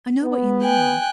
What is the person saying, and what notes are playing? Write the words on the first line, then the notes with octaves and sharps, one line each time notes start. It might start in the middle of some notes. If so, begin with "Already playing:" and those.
I know what you mean.
B3
G5 G#5 F#6